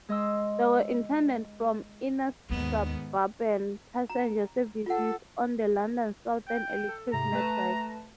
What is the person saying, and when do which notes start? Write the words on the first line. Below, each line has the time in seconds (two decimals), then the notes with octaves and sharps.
They were intended for inner suburban passenger services on London's Southern Electric network.
0.09 G#3 D#5 C6 E6
2.50 D#2 G#2 D#3 G3 B3
4.10 A#5
4.86 F4 A4 F#5
6.47 G5
6.88 A4
7.13 G#2 C3 A#5
7.33 A3 B4 A5